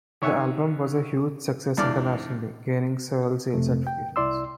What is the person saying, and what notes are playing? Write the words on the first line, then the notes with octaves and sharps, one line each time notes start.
The album was a huge success internationally, gaining several sales certifications.
D#3 C#5 E5 F#5 G#5
E2 G#2 D4 F4 D5 F6
F2 C3 A3
G5
C2 E4 D5 C6 E6